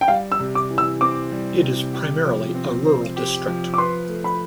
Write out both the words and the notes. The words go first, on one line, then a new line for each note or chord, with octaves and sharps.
It is primarily a rural district.
G5
G3 F5
E6
C3
D6
E3
E6
C4 D6
G3
C3
G4
F3
C4
C5
G4
F3
D6
B4 C6
A3
B5